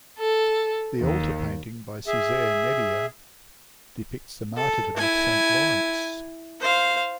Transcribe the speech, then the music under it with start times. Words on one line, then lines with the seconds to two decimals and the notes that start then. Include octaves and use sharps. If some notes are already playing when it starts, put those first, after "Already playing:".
The altar painting by Cesare Nebbia depicts the martyrdom of Saint Lawrence.
0.19 A4
1.01 D#2
2.07 G#4 E5
4.56 A4
4.97 E4 G#5
6.60 C5 F5